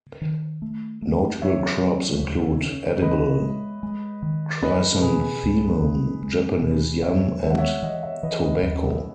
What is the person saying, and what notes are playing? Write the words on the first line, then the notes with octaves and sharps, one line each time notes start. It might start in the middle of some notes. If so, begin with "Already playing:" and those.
Notable crops include edible chrysanthemum, Japanese yam and tobacco.
D#3
A3
A3
F#3 C#5 E5
F#3
D#2
C#4
E3 B4 D#5
G#3
G#3
D#3
C#4 B4 D#5
B2 G#4 B4
C#2
C#3
G#3
B2
E2 C#5 E5
G#3 E5
F#5
C#5 E5
E3 D#5 F#5
C#5 E5
E3 B4 D#5
B4 D#5
D#2